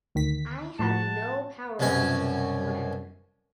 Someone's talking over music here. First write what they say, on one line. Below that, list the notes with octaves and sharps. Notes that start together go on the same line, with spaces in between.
I have no power over you whatever.
D2 D#3 B6
A2 F3 F#4 A5
C2 F#2 B2 C#4 G#5